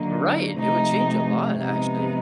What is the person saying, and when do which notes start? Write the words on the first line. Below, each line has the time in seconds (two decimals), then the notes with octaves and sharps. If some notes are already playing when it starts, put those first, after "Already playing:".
Right. It would change a lot, actually.
Already playing: D3 F#3 A#3 D#4
0.57 C3 F3 A3 D#4
1.58 C3 F3 G#3 B3 D#4